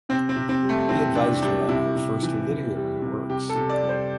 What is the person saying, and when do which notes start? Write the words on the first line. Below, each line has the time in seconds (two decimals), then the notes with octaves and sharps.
He advised her on her first literary works.
0.09 C3 C4
0.29 C4
0.36 C3
0.49 C4
0.63 G3
0.69 A3
0.89 E3 C4
1.15 C3 D4
1.43 G3 D4
1.69 C3 E4
1.96 C3
2.23 E3
2.49 E3
2.76 G3
3.02 C3
3.30 C3 G4
3.49 A4
3.56 C3
3.69 D5
3.83 G3
3.89 C5